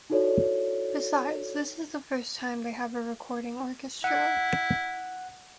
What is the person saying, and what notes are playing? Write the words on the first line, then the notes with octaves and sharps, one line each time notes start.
Besides, this is the first time they have a recording orchestra.
D#4 E4 F#4 A4 C#5 D5
E4 F#5